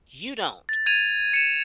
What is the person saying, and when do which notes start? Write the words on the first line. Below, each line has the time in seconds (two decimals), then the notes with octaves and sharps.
You don't.
0.69 A6
0.86 G#6 D#7 F7
1.34 C#7 E7